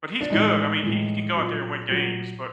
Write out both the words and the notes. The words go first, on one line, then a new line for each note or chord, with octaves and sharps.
but he's good. I mean, he he can go out there and win games, but
D4
A2 E3 G#3 D#4
A2 E3 G#3
A#2 F#3
A#2 F#3